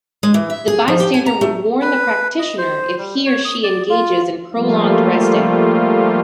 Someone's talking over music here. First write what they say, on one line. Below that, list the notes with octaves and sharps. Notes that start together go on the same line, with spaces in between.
The bystander would warn the practitioner if he or she engages in prolonged resting.
G#3
E3
E5
G#4
F3
G4
G#5
A#5
A3
B4
D#5
C5
G3
C#5
D#6
D5
F4
F3 G3 A3 A#3 F4